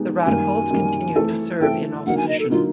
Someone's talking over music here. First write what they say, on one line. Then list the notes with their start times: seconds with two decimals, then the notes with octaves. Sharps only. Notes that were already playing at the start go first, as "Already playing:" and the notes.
The Radicals continued to serve in opposition.
Already playing: G#3 B3 D#4 G4
0.21 A5
0.25 F#2 D#3 G3 A#3 G#5
0.71 F#2 D#3 G3 A#3
1.16 E3 A3 C4 E4 A4
1.60 E3 A3 C4 E4 A4 G5
2.06 D3 F#3 A#3 D#4 F#5
2.17 G#5
2.28 D#5
2.39 A4
2.50 D3 F#3 A#3 D#4 F4